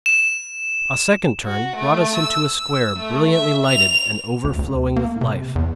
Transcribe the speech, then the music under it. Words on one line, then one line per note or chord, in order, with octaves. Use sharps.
A second turn brought us into a square, brilliantly lighted, and overflowing with life.
E7
F#4
A3
E6
E6
A3
E5
F7
D2
D2
A#3
C3
E2